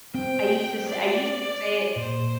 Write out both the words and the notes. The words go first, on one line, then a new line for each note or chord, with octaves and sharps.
I used to s I used to say it.
C4 G5
D5
A#2 C5